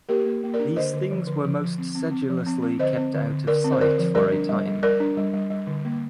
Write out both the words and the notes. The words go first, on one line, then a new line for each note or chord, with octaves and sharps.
These things were most sedulously kept out of sight for a time.
A#3 G4 A#4
A#3
A#3
A#4 D5
D4
D3 C5 D#5
D3
F3
D3
F3
F3
C4
C4
C4
F3
C4
C4
D3 C5 D#5
C4
D3
D3
D3 A#4 D5
C4
C5
D3 A#4 D5
F3
G3 A#4 D5
D4
G3
G3
G3 A#4 D5
D4
G3
G3
G3
D3
A#3